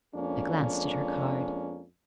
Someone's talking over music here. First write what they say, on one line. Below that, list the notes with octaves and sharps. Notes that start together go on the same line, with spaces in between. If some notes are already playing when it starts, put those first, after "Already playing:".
I glanced at her card.
F2 G#3 A#3 C#4 D4